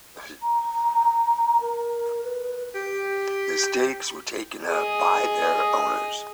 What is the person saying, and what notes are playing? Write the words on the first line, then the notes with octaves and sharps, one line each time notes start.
The stakes were taken up by their owners.
A#5
A#4
B4
G4
G#4 D#5